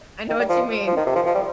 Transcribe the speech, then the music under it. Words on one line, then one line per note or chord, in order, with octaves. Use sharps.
I know what you mean,
D#3
G3
F3
F3
D#3
C3
F3
F3
G3